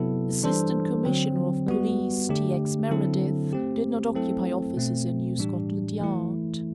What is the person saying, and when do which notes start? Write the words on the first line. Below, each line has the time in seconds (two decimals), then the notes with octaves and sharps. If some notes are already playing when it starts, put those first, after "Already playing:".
Assistant Commissioner of Police T. X. Meredith did not occupy offices in New Scotland Yard.
Already playing: C3 F#3 B3 E4 A4
0.43 E3 G3 D4 A4 C5
1.05 D3 F#3 C4
1.67 G3 B3 F#4
2.29 D3 A3 D4 G4
2.91 D3 F#3 C4 E4 A4
3.53 A3 C4 G4
4.15 F#3 A3 C4 E4 A4
4.76 B2 A3 C4
5.38 A2 E3 G3 D4 G4
6.00 E3 A3 E4